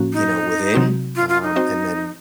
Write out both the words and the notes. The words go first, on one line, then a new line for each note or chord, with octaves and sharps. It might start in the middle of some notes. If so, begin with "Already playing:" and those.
you know, within, um, and then
Already playing: A2 F3 A#3 C#4 F#4
D#4
C3 F#3 C4 F#4
F4
F4
D#4
C4 F#4 C5 D#5